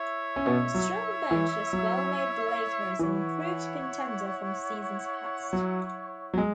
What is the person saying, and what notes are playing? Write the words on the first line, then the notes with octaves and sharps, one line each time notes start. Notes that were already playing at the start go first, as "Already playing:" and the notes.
A strong bench as well made the Lakers an improved contender from seasons past.
Already playing: E4 C#5 E5
C#4
B2 B3
F#3
E3
F#3
E3 E4 C#5 F#5
F#3
F#3
G#3